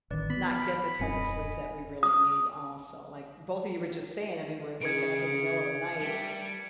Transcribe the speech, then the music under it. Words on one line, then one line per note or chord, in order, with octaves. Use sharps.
not get the type of sleep that we really need also, like both of you were just saying, I mean, we're waking up in the middle of the night
A1 D#3 B4 D5
B3 B5
F6
D7
D#1 F#2 C4 D#5 G#5 C#7
D#6
C#3 G#4 G#6 C#7 D7
G2 G3 A3 G4